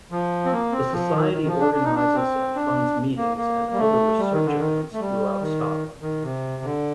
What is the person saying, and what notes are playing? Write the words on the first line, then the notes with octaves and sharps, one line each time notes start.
The Society organises and funds meetings and other research events throughout Scotland.
F3
C4
A#3
C4
F3
D#3
D#3
F3
D4
D4
D#4
D4
C4
D4
A#3
A#3
G3
A3
G3
D#3
D3
D#3
A3
G3
D#3
D#3
C3
D3